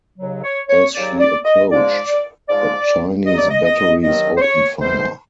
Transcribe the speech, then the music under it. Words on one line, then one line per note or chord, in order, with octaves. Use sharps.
As she approached, the Chinese batteries opened fire.
D#2 C#3 F#3
C#5
C#5
D#2 C#3 F#3 D5
D5
D#5
G#2 F3 G#3 D5
G#2 F3 G#3 D5
G2 D#3 F#3 D#5
D5
D#5
D#5
G2 D#3 F#3 D#5
C5
C#5
G#2 E3 G3 C5